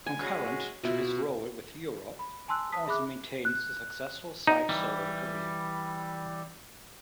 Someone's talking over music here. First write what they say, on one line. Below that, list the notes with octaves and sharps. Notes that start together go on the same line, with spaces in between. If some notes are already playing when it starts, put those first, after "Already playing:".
Concurrent to his role with Europe, he also maintains a successful side solo career.
G#5
G#3 C#4 F#4
B2 E4 F4
B5
G#5 A5 C6 E6 F#6
A5 D#6 B6
G#4 E5 B5 D6 F#6
F#6
D#4
E3 G3